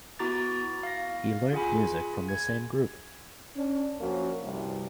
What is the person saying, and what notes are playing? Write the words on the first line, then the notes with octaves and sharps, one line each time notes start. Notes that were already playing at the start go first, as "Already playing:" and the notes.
He learnt music from the same group.
B3 E4 F#4 A#5 D6 A6
F5 A#6
F4 G#4 F#5 G#5 B5
G#6
C#4 D4
F3 A#3 C#4 F4 F#4
C2 G2